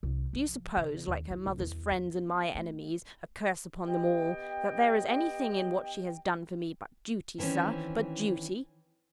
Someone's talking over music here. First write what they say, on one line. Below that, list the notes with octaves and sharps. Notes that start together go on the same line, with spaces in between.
Do you suppose, like her mother's friends and my enemies--a curse upon them all!--that there is anything in what she has done for me but duty, sir, but duty?
C2
F3
C#3
D#2
E4
C#2
E2
B3
A3
B3 G4 D#5 G5
D#3 E3 G3 C4 C#4